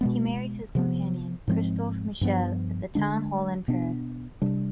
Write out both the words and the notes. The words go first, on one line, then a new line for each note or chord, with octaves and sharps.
He marries his companion, Christophe Michel, at the town hall in Paris.
B2 G#3 B3
C3 F3 B3
G#2 F3 G#3 C4
G2 F3 B3
D3 G#3 D4
B2 B3 D4
C3 G3 D4